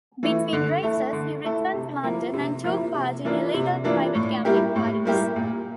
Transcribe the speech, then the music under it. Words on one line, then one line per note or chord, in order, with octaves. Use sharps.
Between races, he returned to London, and took part in illegal private gambling parties.
E3 A3
D3
A3 E4 A4
D3
A3 E4 A4
C3
F3 A#3 E4
C3
F3 A#3 E4
C3
E3 A#3 D4 F4
C3
E3 A#3 D4 F4
A2
G3 A#3 E4 G4
A2
G3 A#3 E4 G4
A#2